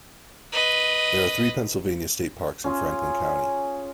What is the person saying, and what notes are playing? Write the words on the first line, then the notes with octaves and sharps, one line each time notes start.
There are three Pennsylvania state parks in Franklin County.
B4 D#5
C#4 F4 G#4